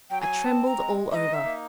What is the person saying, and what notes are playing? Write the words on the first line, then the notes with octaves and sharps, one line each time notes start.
I trembled all over.
F#3 G5
G#5
C4 A5
A#5
G#3
D#4 D#5 E5
E5
A#3